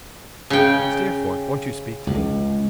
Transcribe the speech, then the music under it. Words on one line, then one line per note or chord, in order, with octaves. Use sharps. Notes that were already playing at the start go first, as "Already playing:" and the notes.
'Steerforth! won't you speak to me?'
C#3 G5
C#2